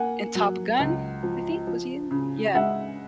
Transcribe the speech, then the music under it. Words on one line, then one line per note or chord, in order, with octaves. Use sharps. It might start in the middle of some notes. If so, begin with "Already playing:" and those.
And Top Gun, I think was he in Yeah.
Already playing: A#3 F#5 G#5
F#3
C#2
F3
F3
C#3
G#3 E5 F#5